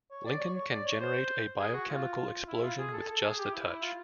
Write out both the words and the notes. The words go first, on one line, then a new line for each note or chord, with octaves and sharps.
Lincoln can generate a biochemical explosion with just a touch.
C#5
D5
C#5
C#5
D5
C#5
C5
G#4
F#4
F4
E4
F4
G#4
A4
A4
G#4
G4
E4
E4
F4